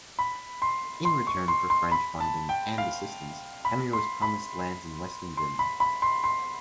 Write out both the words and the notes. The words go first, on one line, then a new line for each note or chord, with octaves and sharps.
In return for French funding and assistance, Henry was promised lands in western Germany.
B5
C6
C6
C#6
C6
C6
B5
A5
G5
F5
B5
C6
B5
C6
B5
B5
C6
C6